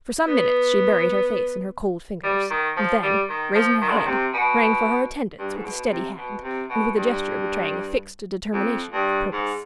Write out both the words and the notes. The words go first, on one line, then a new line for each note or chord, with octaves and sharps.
For some minutes she buried her face in her cold fingers, and then, raising her head, rang for her attendants with a steady hand, and with a gesture betraying a fixed determination of purpose.
B3
G3
D#3
F3
G3
D#3
F3
D#3
D3
D#3
C3
B2
G2
G#2
B2
C3
B2
C3
B2
G2
F2
G2
G#2